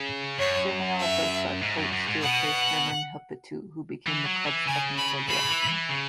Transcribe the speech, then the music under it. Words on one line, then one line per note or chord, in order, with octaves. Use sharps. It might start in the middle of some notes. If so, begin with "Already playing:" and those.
Germinal Beerschot coach to replace Herman Helleputte who became the club's technical director.
Already playing: C#3
F#2 C#5
E5
G#2
F#2
F#2
G#2
B2 F#5
E3
F#3
E3
C#3 G#5
B5
C#3 B5
E3
E3
C#3